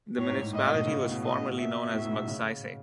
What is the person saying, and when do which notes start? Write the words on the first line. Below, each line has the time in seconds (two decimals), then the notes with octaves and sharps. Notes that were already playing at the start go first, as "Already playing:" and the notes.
The municipality was formerly known as Magsaysay.
0.18 A2 C#5
0.29 G#2
0.41 G#2
0.53 A2 D#5
0.65 B2
0.76 A2
0.87 C#3
0.96 B2
1.03 A2
1.11 B2
1.23 D#5
1.58 E5
1.94 A2
2.05 G#2
2.17 B2
2.28 C#3